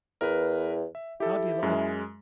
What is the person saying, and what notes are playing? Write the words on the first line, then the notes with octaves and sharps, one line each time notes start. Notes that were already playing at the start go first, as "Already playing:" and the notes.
How delightful!
E2 A#4 B4
E5
E4 G4 A4
F#2 G#3